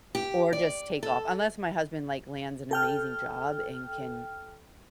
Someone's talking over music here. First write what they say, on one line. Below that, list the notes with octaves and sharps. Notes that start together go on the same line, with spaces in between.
or just take off. Unless my husband, like, lands an amazing job and can
G4
D5
A4
A4 G5 F6